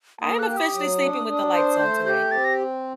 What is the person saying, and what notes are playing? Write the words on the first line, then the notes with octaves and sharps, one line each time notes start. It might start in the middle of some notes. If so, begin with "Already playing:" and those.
I am officially sleeping with the lights on tonight.
A#3 D#6
F#6
G4
D#6
F#3
D4
D4
C5
A3 G6
G4 G6
C4 A6
A#6